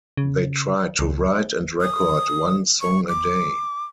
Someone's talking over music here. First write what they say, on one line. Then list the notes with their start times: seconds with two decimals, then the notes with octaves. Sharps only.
They tried to write and record one song a day.
0.17 C#3
0.99 C#2
1.81 D#6
2.81 C#6
3.08 D6